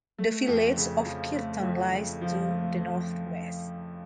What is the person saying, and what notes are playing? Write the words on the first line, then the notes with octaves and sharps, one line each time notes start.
The village of Kirton lies to the north-west.
A3
F2
C#3
F3
A3
F2
C#3
F3
A3